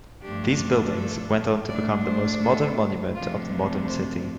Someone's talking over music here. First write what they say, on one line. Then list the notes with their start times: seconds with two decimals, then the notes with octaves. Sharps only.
These buildings went on to become the most modern monument of the modern city.
0.22 G2 F3 A3 D4 G4
0.95 A4
1.68 A2 A3 D4 D5
2.05 C5
2.41 A4
3.15 F2 C3 F3 A3 D4 F4
3.88 C5